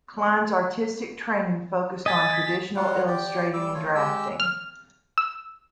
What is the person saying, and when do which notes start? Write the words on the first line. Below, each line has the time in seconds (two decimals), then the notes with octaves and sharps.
Kline's artistic training focused on traditional illustrating and drafting.
2.06 D#5 G#5 A6 B6
2.76 F#3 G3 F4 F#5
3.08 G4 D5 G5
3.54 G3 D6 E6
3.74 A3 F4 C#5
3.95 G#3 G4 E6
4.40 F6
5.18 E6